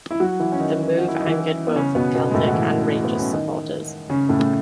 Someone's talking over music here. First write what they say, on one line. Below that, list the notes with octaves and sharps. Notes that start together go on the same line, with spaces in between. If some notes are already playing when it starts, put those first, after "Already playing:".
The move angered both Celtic and Rangers supporters.
E4
F#3 F#4
E3 E4
C#4
D#3 D#4
F#4
E4
D#4
E3 E4
B3
C#3 C#4
B2 B3
B2 B3
G#3
A2 A3
F#4
E3 E4
B3
C#4
D#3 D#4
C#3 C#4
A2 A3
A3